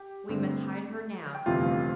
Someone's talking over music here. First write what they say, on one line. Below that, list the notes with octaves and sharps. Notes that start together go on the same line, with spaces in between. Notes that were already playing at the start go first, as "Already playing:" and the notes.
We must hide her now.
Already playing: G4 G5
G2 D3 A3 C4
G5
G1 F2 C3 E3 A3 F4 F5